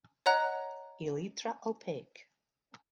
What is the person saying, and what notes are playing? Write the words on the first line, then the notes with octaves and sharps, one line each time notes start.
Elytra opaque.
C#5 D#5 F#5 A#5 F#6